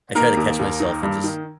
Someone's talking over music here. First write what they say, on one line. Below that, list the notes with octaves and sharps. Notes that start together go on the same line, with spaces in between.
I try to catch myself and just
D#3 A#3 A#4
D#2
D#2
D#3
G2
D#3